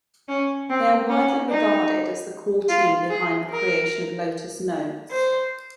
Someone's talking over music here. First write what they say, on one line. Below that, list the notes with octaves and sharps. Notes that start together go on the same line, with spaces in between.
They are widely regarded as the core team behind the creation of Lotus Notes.
C#4
C4
C#4
D#4
F4
G#4
A#4
C5